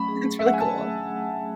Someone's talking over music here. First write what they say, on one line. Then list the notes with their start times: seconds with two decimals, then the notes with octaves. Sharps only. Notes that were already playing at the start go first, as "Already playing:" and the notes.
That's really cool.
Already playing: F#3 A3 C#4 B5
0.08 G#4
0.26 A3
0.39 E5
0.44 F#3 F#5
0.54 G#5
0.60 C#4 A5